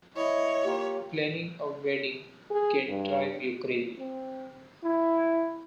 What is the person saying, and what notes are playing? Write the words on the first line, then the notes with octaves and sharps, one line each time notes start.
Planning a wedding can drive you crazy!
E4 C#5 D#5
A#3 F4 G4
G#4
G2
C4
E4